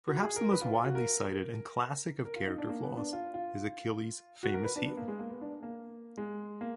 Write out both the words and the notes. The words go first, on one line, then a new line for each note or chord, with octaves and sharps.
Perhaps the most widely cited and classic of character flaws is Achilles' famous heel.
F#4
G#4
A#4
B4
F4
F4
F#4
A#4
A#4
F4
D#4
D4
A#3
B3
D4
F4
F4
F#4
A#4
B4
D4
B3
A#3
G#3
A#3
B3
D4
A#3
G#3
A#3